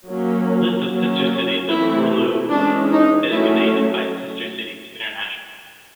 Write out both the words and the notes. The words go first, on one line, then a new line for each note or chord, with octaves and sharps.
List of sister cities of Orlu, designated by Sister Cities International.
F#3 A#3 C#4
F#3 A#3 C#4
E3 A3 C4 E4
E3 G#3 C#4 D4
D#4
F#3 A3 C#4 E4